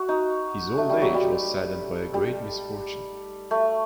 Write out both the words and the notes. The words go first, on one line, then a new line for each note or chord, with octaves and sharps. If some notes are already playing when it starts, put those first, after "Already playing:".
His old age was saddened by a great misfortune.
Already playing: F#4
D#4
A3
G3
F#3
G3
G3
A3